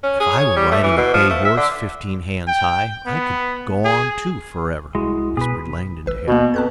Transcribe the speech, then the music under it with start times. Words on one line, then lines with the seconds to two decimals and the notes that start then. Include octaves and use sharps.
"If I were riding a bay horse fifteen hands high I could go on, too, forever," whispered Langdon to Harry.
0.03 C#4
0.20 G#4
0.38 C#5
0.57 G3
0.71 A3
0.83 E3
0.97 B2
1.14 F3
1.30 A3
1.45 E5
1.57 D3
2.47 G5
3.06 B3
3.85 G#4
4.95 C2 G#3 E4 F#4
5.37 B2 G#4 B4
6.06 A1 B4 E6
6.28 B2 A#3 B3 F#4
6.54 F2 B4 A5 F#6 G#6